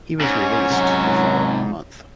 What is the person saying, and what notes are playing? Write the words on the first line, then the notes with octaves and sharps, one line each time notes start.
He was released the following month.
G#2 C#4
C3 F#3 F#5